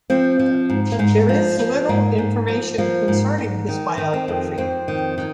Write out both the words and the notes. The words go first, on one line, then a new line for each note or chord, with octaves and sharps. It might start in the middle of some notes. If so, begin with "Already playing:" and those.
There is little information concerning his biography.
F3 C4
F3
G#2
A#3
G#2 G#3
F3
F3
G#2 A#3
G#2
F3
F3 A#3
G#2
G#2
D#3
D#3
C4
F2
F2 C4
D#3
D#3